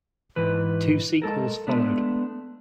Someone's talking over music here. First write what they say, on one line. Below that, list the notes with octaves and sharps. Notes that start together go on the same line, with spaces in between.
Two sequels followed.
G#2 E3 B4
G#3 A4 A#4
G#3 A3 B3 D4